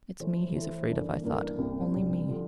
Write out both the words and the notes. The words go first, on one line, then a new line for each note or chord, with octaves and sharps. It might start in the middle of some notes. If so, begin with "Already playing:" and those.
It's me he's afraid of, I thought, only me.
E3 A3 E4 A4 C5
E3 A3 E4 A4 C5
G2 E3 A#3 D4 A4
G2 E3 A#3 D4 A4
C2 C3 G3 D4
C2 C3 G3 D4
D3 F3